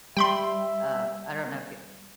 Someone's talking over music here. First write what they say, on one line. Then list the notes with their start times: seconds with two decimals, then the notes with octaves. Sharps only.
Uh, I don't know if you
0.17 G3 E5 G5 B5 C6